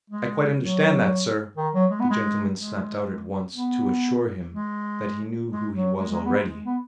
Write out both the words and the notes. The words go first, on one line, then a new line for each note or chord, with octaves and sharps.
"I quite understand that, sir," the gentleman snapped out at once to assure him that he knew who he was already.
G#3
F#3
D#3
F#3
G#3
B3
G#3
G#3
B3
G#3
G#3
F#3
G#3
G#3
B3
G#3
G#3
B3